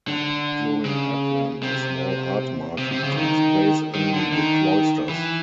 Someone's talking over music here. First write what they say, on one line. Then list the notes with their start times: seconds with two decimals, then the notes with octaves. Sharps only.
During Advent, a small art market takes place in the cloisters.
0.08 D3
0.85 C#3
1.63 C3
2.78 C3
2.92 C3
3.04 C#3
3.11 E3
3.17 D#3
3.95 D#3
4.13 D3
4.32 D#3
5.10 E3